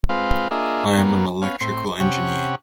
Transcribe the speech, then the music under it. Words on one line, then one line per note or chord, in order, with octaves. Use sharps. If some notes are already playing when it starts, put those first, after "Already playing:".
I am an Electrical Engineer.
G#3 C4 F4 B4 F5
A#3 D4 F4 G#4 D#5 E5
F#2 A#3 B3
B3 C#4 F5
A2 C4 C6
C3 C#4 G4 F#5 C#6